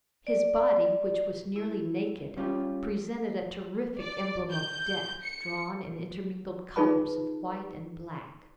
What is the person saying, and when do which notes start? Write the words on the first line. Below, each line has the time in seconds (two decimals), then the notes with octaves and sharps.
His body, which was nearly naked, presented a terrific emblem of death, drawn in intermingled colors of white and black.
0.27 D5
1.56 E4
2.37 G3 C#4 F4 G4
3.99 D5
4.50 G6
5.22 C#7
6.76 D#4 F4 G#4 B4 A5 B5